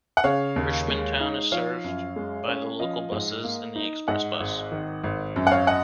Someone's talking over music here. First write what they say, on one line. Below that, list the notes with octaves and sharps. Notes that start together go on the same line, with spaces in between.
Richmondtown is served by the local buses and the express bus.
F#5
C#3 C#5 F5
D#2
G#3
D#4
F3 C#5 F5
F#2
G#3
C#4
F3 D#5
G#2
A#3
D#4
G#2 D#5 F#5
G#1
D#3
G#1
F#2
F#5
C#5 F5
D#5 F#5